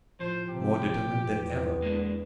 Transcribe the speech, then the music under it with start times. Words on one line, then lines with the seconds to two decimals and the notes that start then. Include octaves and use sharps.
"More determined than ever."
0.20 A2 F3 C5
0.50 C3 G4
1.27 E2 B3
1.82 G#3 A#3 D4